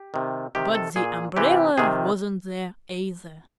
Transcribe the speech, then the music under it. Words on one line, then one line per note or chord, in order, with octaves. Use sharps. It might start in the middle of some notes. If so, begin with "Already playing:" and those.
But the umbrella wasn't there, either.
Already playing: G4
C3 D#3
C3 D#3 G4
A4
A#2 G#4
C3 E3 G4
C3 D#3 G#4